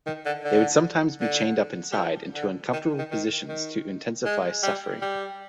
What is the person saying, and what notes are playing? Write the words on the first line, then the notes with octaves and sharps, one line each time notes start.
They would sometimes be chained up inside into uncomfortable positions to intensify suffering.
D#3
D3
D3
D3
G3
F3
D3
D#3
D#3
D#3
D#3
G#3
G3
G3